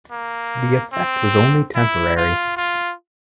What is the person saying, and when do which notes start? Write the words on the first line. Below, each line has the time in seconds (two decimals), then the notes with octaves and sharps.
The effect was only temporary.
0.12 A#3
0.93 C4
1.75 E4
2.17 F4
2.57 F4